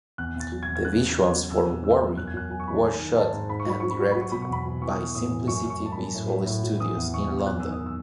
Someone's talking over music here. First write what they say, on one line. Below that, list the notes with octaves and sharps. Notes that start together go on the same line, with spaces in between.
The visuals for "Worry" was shot and directed by Simplicity Visual Studios in London.
E2 F#6
E2 A6
F#3
G#6
E2
G#6
C#3 F#6
C#3
F#3
F#3
E2 E6
E2
C#3 E6
E2
F#2 F#6
G#6
F#2 F#6
F#3 G#5
C#6
D#3 B5
A5
D#3 G#5
D#3
G#2 A5
G#2
G#2 B5
C#6
F#3 B5
F#3 C#6
B5
F#3 C#6
F#3 B5
C#6
B2 B5
C#6
E2 B5
B2
E3 C#6
D#6
E3 C#6
A2 D#6
E3
F#2 C#6
F#2
C#6
F#2 A5
B5
F#2
A2
F#3
A2
F#3
E3 D#6
E2
E2 C#6
E2
F#2 F#6
D#3 E6
D#6
D#3
E6